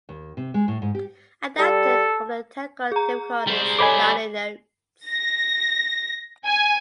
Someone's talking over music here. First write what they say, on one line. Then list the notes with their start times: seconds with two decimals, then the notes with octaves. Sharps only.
Adapted from the "Technical Difficulties" liner notes.
0.09 D#2
0.37 C3
0.54 G#3
0.68 A2
0.82 G#2
0.95 G4
1.59 G3 A4
2.92 G#4 A#5
3.47 G3 C5
3.79 A4 C#5 D#5 G#5 B5 D6
5.07 A#6
6.45 G#5